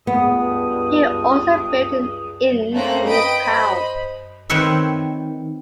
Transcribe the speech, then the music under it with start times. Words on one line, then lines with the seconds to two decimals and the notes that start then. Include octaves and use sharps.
He also built an inn in the town.
0.07 C#2 G2 B3 D#6
2.74 A3 A#3 C4 C#4 A#5 F#6
3.08 B4 D#5 G5 B5 D#6 D7
3.39 C5 D#5 B5
4.50 D#3 C4 B4 C#5 E5